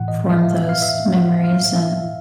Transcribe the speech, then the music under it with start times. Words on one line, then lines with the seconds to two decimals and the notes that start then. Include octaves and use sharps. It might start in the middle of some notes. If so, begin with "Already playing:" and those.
form those memories, and
Already playing: A2 E3 F#5
0.08 D#5
0.30 E5
0.43 F5
0.56 E5
0.69 F5
0.82 E5
1.13 F#5
1.44 F5
1.76 E5